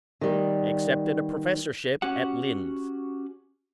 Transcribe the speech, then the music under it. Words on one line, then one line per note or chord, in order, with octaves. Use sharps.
Accepted a professorship at Linz.
D#3 G3 B3
C#4 F#4 G4 F#5